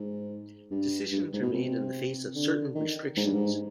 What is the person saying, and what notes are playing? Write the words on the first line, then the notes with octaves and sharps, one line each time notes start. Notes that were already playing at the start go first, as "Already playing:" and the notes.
Decisions are made in the face of certain restrictions.
Already playing: G#2
G2
G2
G#2
B2
C3
D3
D#3
G#2
G2
G#2